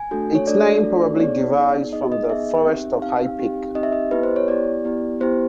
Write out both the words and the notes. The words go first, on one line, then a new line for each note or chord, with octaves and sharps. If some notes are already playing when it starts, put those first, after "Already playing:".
Its name probably derives from the Forest of High Peak.
Already playing: G#5
A3 D4 F#4 A4
C#5
A3 D4 F#4 A4 D5
A3 D4 F#4 A4
C#5
B3 D#4 G#4 D5
B3 D#4 G#4
B3 D#4 G#4 D#5
D#5
D#5
B3 D#4 G#4 E5
C4 D#4 G4
C4 D#4 G4 F5
C4 D#4 G4
C4 D#4 G4 D#5
E5
D#5
B3 E4 G4 B4
C5
C#5
B3 E4 G4 D5
B3 E4 G4
B3 E4 G4 C5